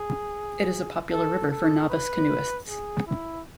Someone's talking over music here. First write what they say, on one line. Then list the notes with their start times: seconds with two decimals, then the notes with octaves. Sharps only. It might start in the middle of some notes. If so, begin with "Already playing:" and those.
It is a popular river for novice canoeists.
Already playing: G#4
1.12 A4
1.51 A4
1.90 B4
2.68 G#4
3.07 E4